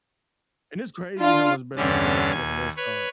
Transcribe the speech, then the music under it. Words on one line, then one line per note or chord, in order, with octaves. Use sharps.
and it's crazy how much better you can make it than a restaurant
D4 F4
E2 G2 D3 C#4 A6
D#2 G#5
B4 C#5